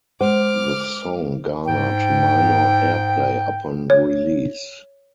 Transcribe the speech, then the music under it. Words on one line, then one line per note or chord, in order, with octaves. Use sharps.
The song garnered minor airplay upon release.
G#3 C5 D6 F6
G#2 G5
C#5